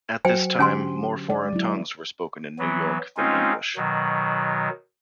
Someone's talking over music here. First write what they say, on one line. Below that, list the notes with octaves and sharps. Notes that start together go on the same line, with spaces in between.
At this time, more foreign tongues were spoken in New York than English.
F#3 F#4 C5 G5 G#5
D3 C#4 G4 G#5 C6
G#3 D5
F#3 E4
E3 F#3 B3
G#3 C4 C#4 D#4 F4
B2 D#3 F#3